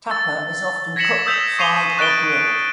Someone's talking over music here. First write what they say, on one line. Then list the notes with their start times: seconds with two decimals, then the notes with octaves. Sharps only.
"Tapa" is often cooked fried or grilled.
0.10 E6 A6
0.96 G#6 A#6 B6 C#7 E7 F#7
1.26 D#6 E6 G6 B6 E7 F7
1.59 C#6 C7 D#7 F7 G7
1.98 C#6 F#6 A6 D7 G7